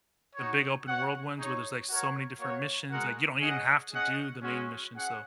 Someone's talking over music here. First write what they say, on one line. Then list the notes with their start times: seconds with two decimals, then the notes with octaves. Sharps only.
The big open world ones where there's, like, so many different missions, like, you don't even have to do the main mission, so
0.34 D#4 F#4 C#5
0.86 F#4 C#5 F#5
1.37 D#4 G#4 C#5
1.88 F#4 A#4 C#5
2.39 A#3 F#4 C#5
2.90 G#3 F#4 A#4 F#5
3.40 C#4 G#4 D#5 F#5
3.91 C#4 G#4 D#5 F#5
4.43 G#3 C#4 F#4
4.94 C#4 G#4 F#5